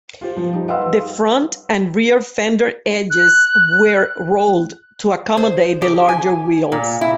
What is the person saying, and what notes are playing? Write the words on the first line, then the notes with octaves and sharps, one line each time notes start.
The front and rear fender edges were rolled to accommodate the larger wheels.
F4 G4 C5
F3
G3 D#4 G4
B4 D#5 F5 F#5 C6 E6
F#6
C5
G4
G#5
A#2
E4